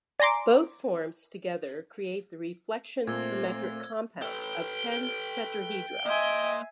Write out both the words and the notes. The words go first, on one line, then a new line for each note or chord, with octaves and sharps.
Both forms together create the reflection symmetric compound of ten tetrahedra.
D5 G#5 A#5 C6 D6
A#2 A3 C4 E6 G#6
A4 B4 G5
A#3 D#5 E5 G#5 C6